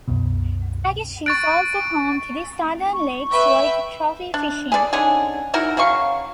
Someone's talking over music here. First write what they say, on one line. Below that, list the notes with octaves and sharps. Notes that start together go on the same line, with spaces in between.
Tagish is also home to the Southern Lakes with trophy fishing.
C2 F#2 B2
C#6 F#6 A6 D7
C#6
B4 E5 G5
D4
G#4 A4 B4 D5
D3 C#4 D#4 G#4
D#4 E4 F#4 A#4
C#3 F#3 F5 C#6